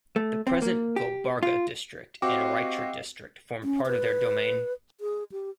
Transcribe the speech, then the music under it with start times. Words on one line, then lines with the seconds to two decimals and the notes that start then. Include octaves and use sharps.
The present Gulbarga District and Raichur District formed part of their domain.
0.16 A3
0.47 C4
0.62 A#3
0.96 G4
1.43 F4
2.22 C4 F#4 G4 D#5 F5 G5 D6
3.63 C#4
3.87 B4
5.01 G#4
5.32 G4